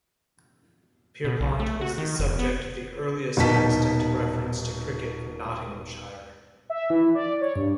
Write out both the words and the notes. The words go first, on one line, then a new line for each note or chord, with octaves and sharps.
Pierrepont was the subject of the earliest extant reference to cricket in Nottinghamshire.
B2
B1
A3
F#4
D#3
F1
B3
D#1 B2 D#4 A5 B6
E5
E3
D5
C#5
G2